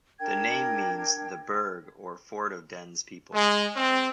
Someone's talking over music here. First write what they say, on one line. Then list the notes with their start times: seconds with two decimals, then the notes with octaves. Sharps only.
The name means 'the burgh or fort of Dene's people'.
0.19 D4 A#4 G5 G#6
3.34 G#3
3.76 C4